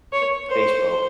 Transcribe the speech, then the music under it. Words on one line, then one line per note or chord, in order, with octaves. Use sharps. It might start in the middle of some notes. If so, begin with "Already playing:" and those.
space probe,
C#5
C5